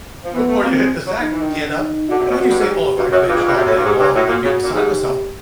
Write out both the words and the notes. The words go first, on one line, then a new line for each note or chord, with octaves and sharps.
before you hit the sack to get up, and when you say, “Oh, if I vegged all day long, I'd be beside myself,”
F3
E3 B3
A3
A#3 C4
G#3
F#3
F3 D#4
E3
D#3
D4
D#4
D3 F#4
C3
B2
G2 F#4
G2
G#2
G4
G2 F#4
F#2
G2 F4
G#2
G2
C3 F#4
A2
G2
G#2 G4
G2
A2 F#4
A#2
C#3 F#4
A#2
G#2 G4